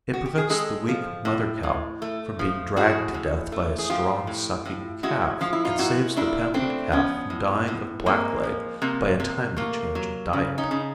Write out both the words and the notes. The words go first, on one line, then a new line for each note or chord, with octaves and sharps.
It prevents the weak mother cow from being dragged to death by a strong sucking calf and saves the pampered calf from dying of blackleg by a timely change of diet.
F#4
G4
G#4
G#3 G4 A4
F3
A2
A2
A3
F3
A2 F#4 G#4
A2
A3
G#4
F3 F4 G4
A2
A2
G#3 E4 F#4
F3 F4
E4
D#4 F4
A#2 E4 F#4
A#2 D4 E4
A3 C4 D4
F3 B3 C#4
A2
A2
G#3 A#3 C4
F3
C3 A#3
C3
A3 A#3
F#3
C#3
C#4 D#4
C#3